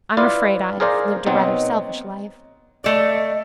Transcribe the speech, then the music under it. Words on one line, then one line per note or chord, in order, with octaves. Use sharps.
I'm afraid I've lived a rather selfish life.
E4 F4 B4 D5 F5
G#4 A#4 C5 D5 F5 A#5
B2 F#3 C4 D#4
A3 D5 D#5